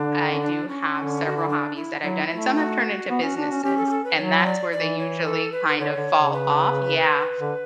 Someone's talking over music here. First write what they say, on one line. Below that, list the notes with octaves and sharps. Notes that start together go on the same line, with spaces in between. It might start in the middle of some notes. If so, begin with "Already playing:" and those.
I do have several hobbies that I've done, and some have turned into businesses, and that's where they usually kind of fall off Yeah,
Already playing: D3 D4
C#4
D4
C#4
D3
F#4
E4
D4
E4
F#3 E4
A3
F#4
B3
C#4
D4
C#4
C#4 G4
A4
G4
A4
B4
F#3 C#5
C#5
D5
E3 D5
C#5
B4
A4
B4
B4
D3 C#5
D3
C#3
B4
D3